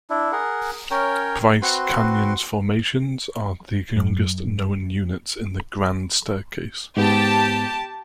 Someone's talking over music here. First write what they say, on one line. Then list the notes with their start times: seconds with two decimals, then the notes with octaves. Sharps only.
Bryce Canyon's formations are the youngest known units in the Grand Staircase.
0.10 D4 E4
0.32 G#4 A#4 F#5
0.91 C#4 A#4 C#5 G5
1.62 C4 F#4 B4 C6
3.97 F#2
6.97 G#2 B3 G4 A5